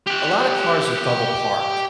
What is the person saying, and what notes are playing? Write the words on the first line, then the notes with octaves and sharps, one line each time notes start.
A lotta cars are double-parked.
G4 F#5